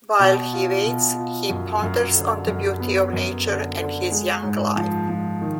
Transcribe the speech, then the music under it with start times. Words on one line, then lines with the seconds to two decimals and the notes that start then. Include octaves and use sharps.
While he waits, he ponders on the beauty of nature and his young life.
0.19 B2
0.53 F4
0.84 B2
1.17 F4
1.49 F#2
1.83 F#2
2.15 D3
2.48 F#2
2.80 B3
3.13 F#2
3.45 D3
3.78 D3
4.11 G#3
4.43 G#2
4.76 F3
5.09 F3
5.41 D#3